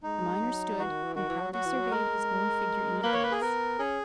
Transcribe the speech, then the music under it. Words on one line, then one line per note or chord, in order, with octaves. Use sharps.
The miner stood and proudly surveyed his own figure in the glass.
G#3 D#4
F#3
E3 F#4
D#3
E3
D#3 F#4
E3
F#3
F#3 F#4
E3
F#3
G#3 A#4
A#3 B4
C#5
B4
G#4
B3 A#4
C#4 G#4